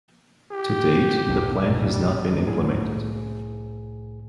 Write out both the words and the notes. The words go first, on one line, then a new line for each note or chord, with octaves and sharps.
To date the plan has not been implemented.
G4
B1 E2 B2
G3
C2 A2 G#4 G#5